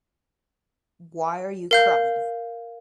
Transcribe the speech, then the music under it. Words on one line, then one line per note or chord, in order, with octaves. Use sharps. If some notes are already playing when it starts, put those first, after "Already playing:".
Why are you crying?
A#4 F5 G6